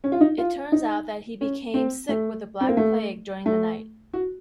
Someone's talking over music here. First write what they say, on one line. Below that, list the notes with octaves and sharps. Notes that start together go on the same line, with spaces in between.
It turns out that he became sick with the Black Plague during the night.
C#4
F4
D#4
F4
D#4
C#4
C4
A3
C4
A#3
A3
A3
F#4